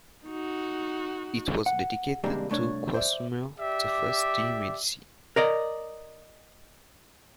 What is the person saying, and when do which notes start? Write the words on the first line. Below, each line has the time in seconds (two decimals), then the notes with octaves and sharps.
It was dedicated to Cosimo the First de' Medici.
0.25 D#4 F#4
1.66 F#5
2.24 D#2 C3 G3 G#3 A#3 D4
2.49 C2 A3 D4 C#5
2.94 C5 D5 E5
3.59 G4 D5 E5
5.36 A#4 D5 D#5